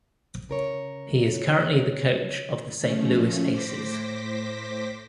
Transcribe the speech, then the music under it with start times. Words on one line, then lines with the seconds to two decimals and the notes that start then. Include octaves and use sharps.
He is currently the coach of the Saint Louis Aces.
0.49 C#3 A#4 C#5
2.79 F3 A3 C#4
3.49 A2 C5 D6 A#6 B6